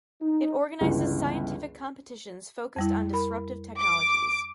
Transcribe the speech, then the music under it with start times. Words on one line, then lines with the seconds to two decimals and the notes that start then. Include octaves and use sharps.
It organizes scientific competitions focused on disruptive technologies.
0.22 D#4
0.81 G1 C#2 E3
2.76 F2 G3 E4
3.13 A#4 B5
3.79 D6